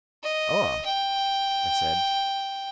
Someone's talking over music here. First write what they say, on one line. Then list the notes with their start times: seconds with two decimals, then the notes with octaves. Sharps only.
"Oh!" I said.
0.23 D#5
0.85 G5